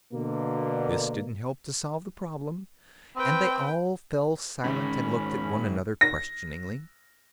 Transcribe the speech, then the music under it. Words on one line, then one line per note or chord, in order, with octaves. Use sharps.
This didn't help to solve the problem, and they all fell silent and looked at one another questioningly.
B2 D3 A#3
C4 B4 G5
G#2 D#3 C#4 G#4 B5
A#6